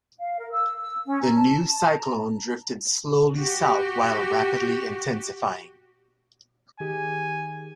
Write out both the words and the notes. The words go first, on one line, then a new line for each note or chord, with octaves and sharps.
The new cyclone drifted slowly south while rapidly intensifying.
F5
A#4
E6
E6
C#4
A#5
A5
A#5
F#4 G4
D#3 G4 G#4 G#5